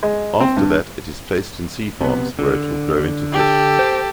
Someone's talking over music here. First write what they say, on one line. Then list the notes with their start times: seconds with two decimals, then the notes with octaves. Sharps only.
After that it is placed in sea farms where it will grow into fish.
0.03 G#3
0.40 C4
0.57 G2
2.01 C3 B3
2.39 D3
3.32 G4 A4
3.79 C5 G5